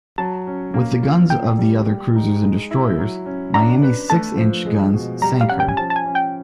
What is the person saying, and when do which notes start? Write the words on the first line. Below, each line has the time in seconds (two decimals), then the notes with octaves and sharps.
With the guns of the other cruisers and destroyers, "Miami"s six-inch guns sank her.
0.18 F#3 A5
0.47 C#4
0.74 A#3
1.03 F4
1.30 A#3 G5
1.59 G3
1.86 G3
2.15 D#4
2.42 G#3
2.71 E4
2.98 F#3
3.26 C#4
3.54 D4 A#5
3.82 B4
4.10 A3 A5
4.37 F3
4.66 G#3
4.94 B2
5.22 G3 A#5
5.41 F5
5.49 C#4 F#5
5.60 G5
5.69 G#5
5.77 F3 A5
5.90 A5
5.96 G#5
6.05 C#4
6.15 G5